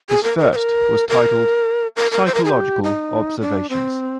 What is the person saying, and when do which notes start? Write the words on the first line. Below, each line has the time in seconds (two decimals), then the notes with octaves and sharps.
His first was titled "Psychological Observations".
0.09 G#4
0.23 A#4
0.38 A#4
0.53 C5
0.56 A#4
1.09 A#4
1.96 A#4
2.12 A#4
2.26 C5
2.34 A#4
2.45 G#4
2.50 G4
2.84 D#4
3.41 D4
3.69 C4